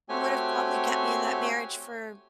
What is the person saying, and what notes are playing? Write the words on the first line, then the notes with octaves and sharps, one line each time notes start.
would have probably kept me in that marriage for
A3 C4 F#4 G4 C#5 G#5